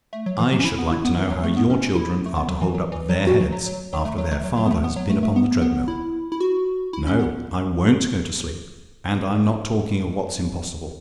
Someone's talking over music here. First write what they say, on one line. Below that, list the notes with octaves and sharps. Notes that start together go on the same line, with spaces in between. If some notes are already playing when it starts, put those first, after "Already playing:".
I should like to know how your children are to hold up their heads, after their father has been upon the treadmill?--No; I WON'T go to sleep. And I'm not talking of what's impossible.
A3
F#3
E3
F#3
C#4
E4
B3
E4
B3
E3
F#3
A3
B3
C#4
E4
A3
B3
F#3
E3
F#3
E3
F#3
F#4
F#3
F#3
F#3
F#3
A3
F#3
A3
F#3
F#3
B3
A3
B3
F#3
A3
A3
B3
B3
E4
E4
F#4
E4
C#4
B3